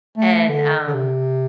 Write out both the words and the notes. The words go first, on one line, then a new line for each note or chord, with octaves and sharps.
And, um,
A3
D3
D3
C3